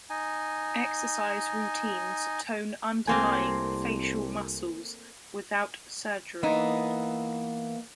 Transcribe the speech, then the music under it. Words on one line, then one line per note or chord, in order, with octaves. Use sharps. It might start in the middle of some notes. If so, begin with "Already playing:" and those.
Exercise routines tone underlying facial muscles without surgery.
D#4 G#5
C2 A3 A#3 C4 G#5 C6
E3 A#3 B3 D#4 E5